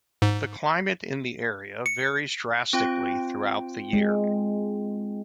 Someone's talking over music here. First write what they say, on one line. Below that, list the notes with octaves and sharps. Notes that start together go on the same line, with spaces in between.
The climate in the area varies drastically throughout the year.
G#2
C#7
C4 F4 G5
G#3